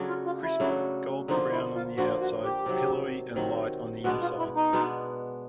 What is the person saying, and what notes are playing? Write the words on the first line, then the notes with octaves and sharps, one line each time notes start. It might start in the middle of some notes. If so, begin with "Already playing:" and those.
Crispy, golden brown on the outside, pillowy and light on the inside.
Already playing: C#3 F#3 A3 D4
F4
F4
E4
C#3 F#3 A3 D4
D3 F3 A#3 D#4
E4
F4
D3 F3 A#3 F#4
F#4
G4
C3 D#3 F#3
C3 D#3 F#3
B2 G#3 B3 D4 F#4
F4
E4
D#4
B2 G#3 B3 D4